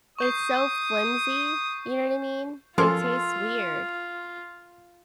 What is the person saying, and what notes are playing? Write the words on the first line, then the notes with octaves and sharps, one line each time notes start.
It's so flimsy, you know what I mean? It tastes weird.
C#6 D#6 G6 C7
F3 C#4 F4 A4 A#4 C6